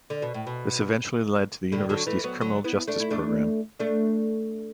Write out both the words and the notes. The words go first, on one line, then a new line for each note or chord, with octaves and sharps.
This eventually led to the university's criminal justice program.
D3
B2
A2
B2
A2 D3
D3 F#3
E3 A3
F#3 B3
D3 F#3
B3 E4
A3 D4
E4
A3 D4
A3 D4